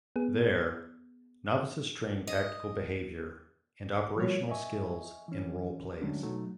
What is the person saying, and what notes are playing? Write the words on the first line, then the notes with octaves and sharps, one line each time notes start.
There novices train tactical behaviour and operational skills in role plays.
B3 G#4
D#5
F3 G3 A3 F4 F#4 C#5
D#5 E5 G#5 C#6
E3 C#4
D3 F#3 G#3 A3 C#4 D4
B2 F#3 A3 D#4